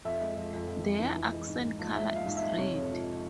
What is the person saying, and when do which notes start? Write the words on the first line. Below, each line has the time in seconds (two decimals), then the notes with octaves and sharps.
Their accent colour is red.
0.05 F2 E5
0.21 G#3
0.37 F2
0.53 F2
0.68 F2
0.84 F2
1.00 E3
1.16 E3
1.32 G#3
1.47 G#2
1.63 G#2
1.79 A#1
1.95 G#3 E5
2.11 F3 F5
2.27 G#2
2.37 E5
2.43 G#3
2.58 C3 C#5
2.74 F2
2.90 F3